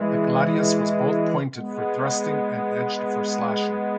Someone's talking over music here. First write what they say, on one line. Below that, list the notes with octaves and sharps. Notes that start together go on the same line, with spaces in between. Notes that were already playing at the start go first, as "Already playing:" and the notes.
The gladius was both pointed for thrusting and edged for slashing.
Already playing: E3 G#3
G#3 B3